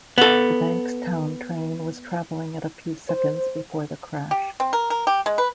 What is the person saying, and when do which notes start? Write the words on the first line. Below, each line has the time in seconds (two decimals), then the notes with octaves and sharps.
The Bankstown train was travelling at a few seconds before the crash.
0.18 B3 A4
3.09 C5
4.31 G4
4.60 C4
4.73 A#4
4.90 A#4
5.07 G4
5.26 G#3
5.38 B4